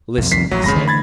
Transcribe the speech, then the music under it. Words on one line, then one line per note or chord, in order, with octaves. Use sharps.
"Listen," he said.
B1 F2
C2 F2 D#3 B6 C7
A1 F#3
D1 F2 C#3 G#3 B5 A#6
D3 E3 A3
B5 G#6 A6